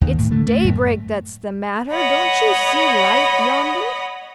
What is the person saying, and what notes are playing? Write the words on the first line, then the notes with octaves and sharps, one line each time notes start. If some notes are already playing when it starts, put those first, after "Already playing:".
"It's daybreak that's the matter; don't you see light yonder?"
D#2 D#3
A2
D3 A3
A3
F#2 A2
C#5 D#5 F#5 B5